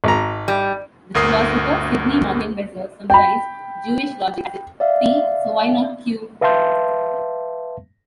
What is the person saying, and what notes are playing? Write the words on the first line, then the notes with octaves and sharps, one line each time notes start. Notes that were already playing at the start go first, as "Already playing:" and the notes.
The philosopher Sidney Morgenbesser summarised Jewish logic as If P, so why not Q?
G#1 A#5
G3
G1 D2 A#4 D#6 C7
G5 B5
D5 E5 F5
B4 E5 F5 A5 C6 G6